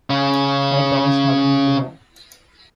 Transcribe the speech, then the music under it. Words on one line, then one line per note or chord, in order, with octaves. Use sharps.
I promise nothing, you know.
C#3 C#4